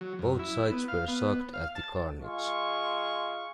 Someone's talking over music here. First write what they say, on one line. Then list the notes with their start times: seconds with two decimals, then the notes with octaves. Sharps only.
Both sides were shocked at the carnage.
0.01 F#3
0.19 F#2
0.39 E4
0.72 B3
0.88 F5
1.08 B3
1.54 F5
1.75 A5
2.20 G#3 F4 C#6